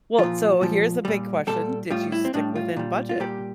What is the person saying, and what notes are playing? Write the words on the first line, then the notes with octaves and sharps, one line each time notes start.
Well, so here's a big question, did you stick within budget?
A#2 F3 F4
A#2 F3
A#2 G3
A#2 G3 A4
A2 G3 F4
E4
C4
A2 G3 D4
F4
A#2 G3
F4
A#2 G3 G4